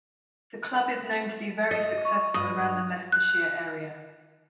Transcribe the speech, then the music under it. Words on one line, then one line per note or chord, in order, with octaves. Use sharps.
The club is known to be very successful around the Leicestershire area.
D#5
C#6
G2 D#5
F#6